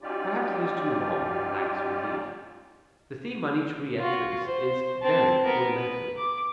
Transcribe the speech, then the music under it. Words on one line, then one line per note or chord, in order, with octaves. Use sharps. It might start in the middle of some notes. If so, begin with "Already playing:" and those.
Perhaps it is too long and lacks relief. The theme on each re-entrance is varied ornamentally.
F#3 C#4 D#4 F4 G4 D5
F4 F#4
C5
C4 A5
B3 A#4
B4
D6